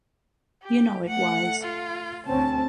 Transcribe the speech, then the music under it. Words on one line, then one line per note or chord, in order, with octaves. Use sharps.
You know it was.
G4
A3 F#5
F4
D2 C4 C#4 A5